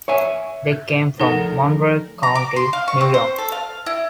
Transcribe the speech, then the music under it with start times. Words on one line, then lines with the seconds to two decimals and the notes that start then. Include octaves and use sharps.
They came from Monroe County, New York.
0.08 C#5 E5 G#5
1.20 D2 F3 D#4 A4 A#4 F#5
2.23 A#5
2.35 D6
2.56 C6
2.73 F5
2.88 C#6
3.01 C4
3.14 C5
3.38 A4
3.52 F5
3.86 E4